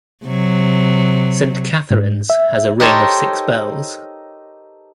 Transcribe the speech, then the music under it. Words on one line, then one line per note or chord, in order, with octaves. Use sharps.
Saint Katharine's has a ring of six bells.
C3 F#3
G#2
E5
D#4 G4 A4 A#4 C5 C#5